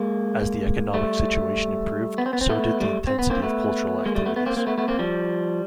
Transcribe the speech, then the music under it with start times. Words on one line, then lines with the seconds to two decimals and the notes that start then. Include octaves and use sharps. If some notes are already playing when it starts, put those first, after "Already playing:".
As the economic situation improved, so did the intensity of cultural activities.
Already playing: G#3 A#3
0.94 G3 A3
2.18 B3
2.26 C4
2.33 B3
2.41 C4
2.49 A3 B3
2.80 G3 A3
3.07 C4
3.19 B3
3.30 A#3 C4
3.42 A3 B3
4.06 G#3 A#3
4.15 G3 A3
4.26 A3 B3
4.36 A3 B3
4.46 A#3 C4
4.57 A#3 C4
4.67 A3 B3
4.78 A3 B3
4.88 A#3 C4
4.99 F3 G3